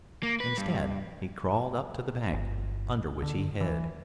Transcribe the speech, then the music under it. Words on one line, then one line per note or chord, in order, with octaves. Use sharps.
Instead he crawled up to the bank, under which he hid.
A#3
B4
G2
G1
D3
E3